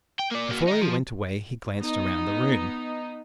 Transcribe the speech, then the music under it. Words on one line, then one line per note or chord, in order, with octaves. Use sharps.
Before he went away, he glanced around the room.
G5
A#3 D5
A#3 F#4
D#4 A#4
F3
B3 D#4